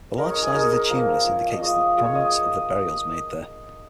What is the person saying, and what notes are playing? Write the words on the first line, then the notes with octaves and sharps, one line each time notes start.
The large size of the tumulus indicates the prominence of the burials made there.
G#3 D#4 A#4
C#5
G#4
G#3 D#4 A#4
A#4
F3 A#3 F4
F3 A#3 F4
F5
D#5
G#3 F4 C#5
G#3 F4
C#5
D#5